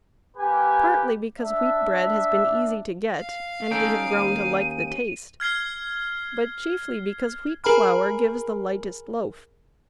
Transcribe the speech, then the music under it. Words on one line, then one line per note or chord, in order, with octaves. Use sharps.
Partly because wheat bread has been easy to get and we have grown to like the taste, but chiefly because wheat flour gives the lightest loaf.
A#3 G4 B4 G#5
D4 E5
F5
C#4 D#4 A4 G5
D#2 D#7
F6 G#6 C7 G7
G#4 A#4 G#5 A#5 B5 F6